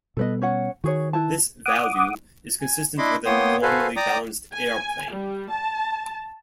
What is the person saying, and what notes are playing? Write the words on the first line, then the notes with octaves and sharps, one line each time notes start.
This value is consistent with a normally balanced airplane.
B2 G3 B3 A4 B4 D#5
C#4 C#5 F#5
D#3 F#4 G#4 C#5
E4 B4 A5
F#5 D6 D#6
G#5
D4 E4 D#5 B5 C6 D6
A#3 B3 C#5 G5 C6 D#6
F#4 A4 B4 C5 F5 G#5
D5 G5 A#5 D6 D#6
G#5
G3
A5